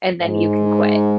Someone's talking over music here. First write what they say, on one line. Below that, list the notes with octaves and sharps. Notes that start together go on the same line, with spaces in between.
and then you can quit."
G#2